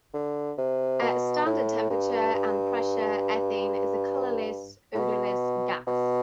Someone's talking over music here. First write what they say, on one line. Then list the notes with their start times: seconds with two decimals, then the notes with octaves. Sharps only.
At standard temperature and pressure, ethane is a colorless, odorless gas.
0.13 D3
0.58 C3
1.02 B2
1.46 A2
1.90 G2
2.34 G2
4.94 A2
4.99 B2
5.87 B2